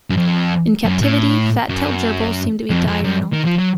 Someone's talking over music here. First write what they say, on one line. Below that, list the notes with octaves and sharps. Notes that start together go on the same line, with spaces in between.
In captivity fat-tailed gerbils seem to be diurnal.
F#2
F2
F#2
A2
F#2
F2
F2
F#2
D#3
F3
F#3